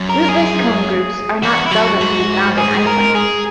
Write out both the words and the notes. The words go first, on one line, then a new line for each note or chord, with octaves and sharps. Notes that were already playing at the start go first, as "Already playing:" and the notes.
Rootless cone groups are not seldom to be found in Iceland.
Already playing: F#2
A#4
G#4
E2 F#4
E4
F#2 F#4
G#2
G#4
A#4
G#4